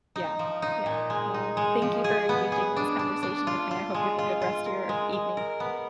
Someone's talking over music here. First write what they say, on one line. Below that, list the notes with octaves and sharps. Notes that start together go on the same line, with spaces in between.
Yeah, yeah. Well, thank you for engaging in this conversation with me. I hope you have a good rest of your evening.
D#4
F3
D#4
A#2
G#3
D#4
G#3
F3
G#4
B3
G#4
D4
D4
D4
F4
F4
G#3
F4
F4
A#4
G#3
G#3
A#4
B3